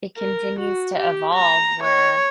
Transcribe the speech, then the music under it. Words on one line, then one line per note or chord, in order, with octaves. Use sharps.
it continues to evolve where
A#4
F#4
G4
A#5
C#5